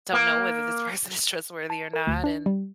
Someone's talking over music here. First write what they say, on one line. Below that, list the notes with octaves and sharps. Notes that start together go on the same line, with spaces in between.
don't know whether this person is trustworthy or not, and
A#3
A5
A#4
D2
D4
G3